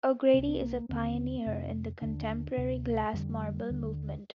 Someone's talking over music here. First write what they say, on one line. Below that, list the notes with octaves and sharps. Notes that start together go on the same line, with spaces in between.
O'Grady is a pioneer in the contemporary glass marble movement.
C2 C3 C4 D4
C4
A#3
A#3
D#2 D3 C4
F2 C3
D#2 D3 D4
D2 C3
F2 D3 G3
D#2 D3